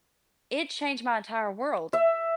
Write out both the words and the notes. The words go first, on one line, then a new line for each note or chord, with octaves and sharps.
it changed my entire world.
E5